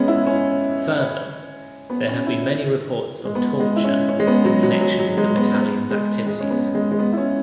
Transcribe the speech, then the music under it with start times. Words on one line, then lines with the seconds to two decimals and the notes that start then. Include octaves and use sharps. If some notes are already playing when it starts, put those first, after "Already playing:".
Further, there have been many reports of torture in connection with the battalion's activities.
Already playing: G#3 B3 C#4
0.08 E4
0.27 C#4
1.90 B3
2.08 C#4
2.27 E4
3.25 G#3
3.35 B3
3.60 G#3
3.76 E4
3.84 C#4
4.09 C#4
4.20 G#3
4.27 B3
4.45 F#3
4.63 F#3
4.81 F#3
4.99 F#3
5.17 G#3
5.36 B3
5.54 B3
5.91 G#3
6.27 G#3
6.40 C#4
6.50 B3
6.75 G#3
6.92 G#3
6.99 B3
7.13 E4
7.17 C#4